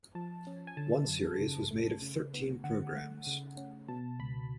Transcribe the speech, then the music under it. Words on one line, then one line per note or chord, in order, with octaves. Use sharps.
One series was made of thirteen programmes.
F3 A5
C#4
G#5
D3 A5
F#2
C#3
A3
C#3
B3
D3 F#5
A3
C#3
C#4
B2 A5
C#2 B5